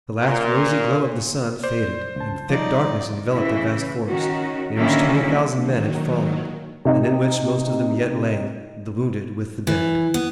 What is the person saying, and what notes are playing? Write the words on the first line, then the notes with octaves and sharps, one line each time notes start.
The last rosy glow of the sun faded, and thick darkness enveloped the vast forest, in which twenty thousand men had fallen, and in which most of them yet lay, the wounded with the dead.
A#2
C5 D5
C#2 A5
F3 G3 D#4 D5 D#5
C#3 E3 E4
D#3 C#4 F#4
D3 D#3 F#3 A#3 C#4 E4
A#2 D3 D#3 F#3
C3 D#4
E3
B3